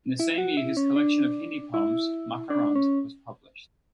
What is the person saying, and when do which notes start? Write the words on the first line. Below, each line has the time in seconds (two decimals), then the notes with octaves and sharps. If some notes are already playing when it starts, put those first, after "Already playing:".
In the same year his collection of Hindi poems "Makarand" was published.
0.20 E4
0.38 F#4
0.57 E4
0.77 C#4
0.96 D4
1.74 E4
2.50 D4
2.76 C#4